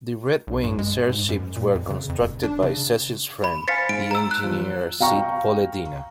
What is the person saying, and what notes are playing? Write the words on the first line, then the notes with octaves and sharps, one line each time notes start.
The Red Wings' airships were constructed by Cecil's friend, the engineer Cid Pollendina.
B1
G2
G#3
G#2
F#2
A#2
F2
C#3
F2
D#1
D4
C#3
B5
C5 F5 G#5 A6 B6 C#7
G#2 D7
A#5 E6
F#6
E2 F3
F5 G5 A#5 C#6